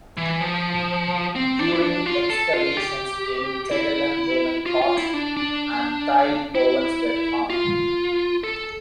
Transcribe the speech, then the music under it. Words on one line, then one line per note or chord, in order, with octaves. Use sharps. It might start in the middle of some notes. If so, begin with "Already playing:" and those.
During excavations in Tegelen Roman pottery and tile ovens were found.
E3
F3
C4
D4
E4
D4
F4
A4
F4
G4
E4
F4
F4
E4
D4
D4
E4
F4
A4